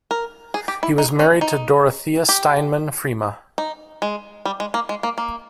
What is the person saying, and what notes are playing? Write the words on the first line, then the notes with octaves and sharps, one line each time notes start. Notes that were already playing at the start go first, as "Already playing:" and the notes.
He was married to Dorothea Steinmann Freema.
A#4
G#4
G4
E4
D#4
C#4
D#4
G4
D#4
G#3
G3
G#3
A#3
G#3
A#3
A#3